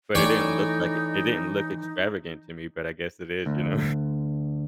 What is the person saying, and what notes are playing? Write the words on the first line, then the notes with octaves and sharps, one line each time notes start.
but it didn't look like it it didn't look extravagant to me, but I guess it is, you know?
E3 A3 D#4 C#5 D5 G5
D2